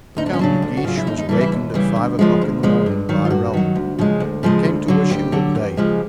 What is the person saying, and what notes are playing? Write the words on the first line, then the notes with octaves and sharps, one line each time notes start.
The Count de Guiche was awakened at five o'clock in the morning by Raoul, who came to wish him good-day.
D2 D#4
D4
C#4
C#3 F#3 D4
D2
F#4
C#3 F#3 F4
E4
D#2 D#4
D#4
C#3 E3 G3 D4
E4
D#2
C#3 E3 G3
D2
C#3 F3 G#3
D2
C#3 F3 G#3
G2
D#3 F#3
F4
G2 F#4
D#3 F#3
D2
C#3 F3 G#3
D2
C#3 F3 G#3
D2
D3 F#3
D2 G4
D3 F#3
E2
C#3 F3 G#3